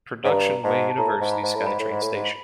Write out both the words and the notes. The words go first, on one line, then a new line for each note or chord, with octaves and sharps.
Production Way-University SkyTrain station.
G#2
G2 A#5
G#2 A5
A5
A2 A#5
G#2
B5
G#2
A2
G#2 B5
A2
G#2
A2
G#2